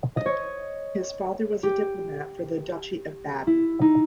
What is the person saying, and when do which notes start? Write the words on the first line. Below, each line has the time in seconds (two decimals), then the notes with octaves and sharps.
His father was a diplomat for the Duchy of Baden.
0.17 D#5
0.26 C#5
1.63 G4
3.47 E4
3.81 D#4